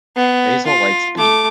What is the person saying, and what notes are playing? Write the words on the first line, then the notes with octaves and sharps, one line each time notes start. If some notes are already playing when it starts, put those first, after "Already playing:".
Basil likes Bee.
B3
F4
A3 D6